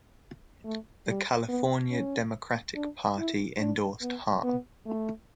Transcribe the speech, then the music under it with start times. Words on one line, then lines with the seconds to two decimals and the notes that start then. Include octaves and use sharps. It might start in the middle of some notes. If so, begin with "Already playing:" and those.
The California Democratic Party endorsed Hahn.
0.65 A3
1.06 G3
1.49 B3
1.91 C#4
2.76 D4
3.17 E4
3.59 D4
4.02 B3
4.44 B3
4.86 A3